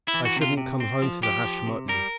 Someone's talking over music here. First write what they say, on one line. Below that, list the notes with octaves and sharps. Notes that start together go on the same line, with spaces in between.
I shouldn't come home to the hashed mutton.
E4
E3
F#4
C3
F4
C3
C4
F3
F3 G4
F3
C3
G3 A#4